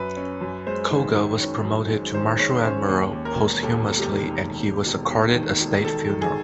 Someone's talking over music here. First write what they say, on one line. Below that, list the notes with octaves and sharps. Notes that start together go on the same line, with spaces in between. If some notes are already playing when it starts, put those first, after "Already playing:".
Koga was promoted to Marshal Admiral posthumously and he was accorded a state funeral.
Already playing: F#2 B4
C#4
F#2
G#3 C5
D#3
D#3
C#4 C#5
F#2
G#3
D#3 C5
G#3 C#5
C#4 C5
D#2
D#2
A#4
E1
D#2 A4
E1
G4
D#3
D#2
E1
E1
D#2
D#3
E1
D#3 A4
D#3
G#4